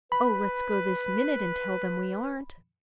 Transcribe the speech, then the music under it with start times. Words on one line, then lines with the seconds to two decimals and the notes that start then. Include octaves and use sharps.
Oh, let's go this minute and tell them we aren't.'
0.12 B4 B5